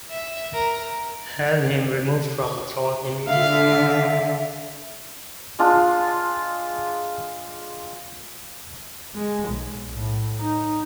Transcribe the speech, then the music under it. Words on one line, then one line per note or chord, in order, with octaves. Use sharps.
Have him removed from the throne immediately.
E5
A#4
D3 E5 F5
G#3 D4 F4
G#3
B1
A2
D#4